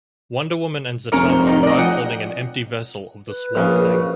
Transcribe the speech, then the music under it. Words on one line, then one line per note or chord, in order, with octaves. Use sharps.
Wonder Woman and Zatanna arrive holding an empty vessel of the Swamp Thing.
F1 C#4 A#4 A#5
C5
D#3 D#4
D5 D#5
F3 G#4 F#5 G5
B4
A#1 C#3
F#4